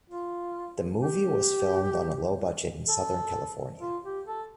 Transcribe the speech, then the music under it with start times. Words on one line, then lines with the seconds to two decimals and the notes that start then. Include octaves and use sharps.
The movie was filmed on a low budget in Southern California.
0.10 F4
1.02 G4
2.89 A4
3.81 F4
4.04 G4
4.26 A4